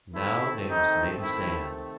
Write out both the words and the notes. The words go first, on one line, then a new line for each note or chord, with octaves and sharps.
Now they must make a stand.
C3 D#3 A3 C4 E4
D#4
E4